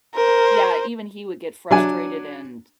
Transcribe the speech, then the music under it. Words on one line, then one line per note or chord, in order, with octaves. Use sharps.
yeah, even he would get frustrated and
A#4 C5
F#3 D4 G#5